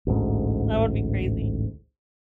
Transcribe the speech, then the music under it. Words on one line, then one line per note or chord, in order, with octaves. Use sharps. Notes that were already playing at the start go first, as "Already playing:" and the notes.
That would be crazy.
A1 D2 G#2